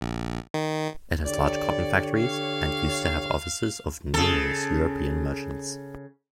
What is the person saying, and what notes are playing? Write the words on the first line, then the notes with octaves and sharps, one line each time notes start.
It has large cotton factories and used to have offices of numerous European merchants.
A#1
D#3
D3 G4 C#5 D5
F5
C#3 A4